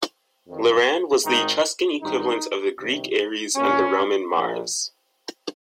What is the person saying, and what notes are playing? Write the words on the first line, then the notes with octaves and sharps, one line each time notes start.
Laran was the Etruscan equivalent of the Greek Ares and the Roman Mars.
F2 D#3
G#1 G#2 D#3 D#4
G#1 G2 D#3 D#4
C2 C3 D#3
A#1 A#2 C#4
A#1 A#2